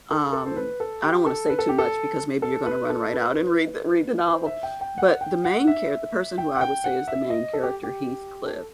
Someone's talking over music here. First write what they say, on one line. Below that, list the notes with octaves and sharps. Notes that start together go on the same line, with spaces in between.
um, I don't wanna say too much because maybe you're going to run right out and read the read the novel, but, the main char the person who I would say is the main character, Heathcliff
A4
A4
C5
B4
A4
G4
A4
B4
A4
G4
A4
A4
B4
A4
B4
B4
C5
E5
G5
G5
F#5
G5
F#5
E5
G5
F#5
G5
F#5
E5
D#5
A4
G4
G4
A4